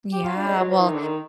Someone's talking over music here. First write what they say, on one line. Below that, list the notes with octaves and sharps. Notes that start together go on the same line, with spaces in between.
Yeah. Well,
G4
F4
D4
G#3
F#3
F3
E3
D#3
D3
D#3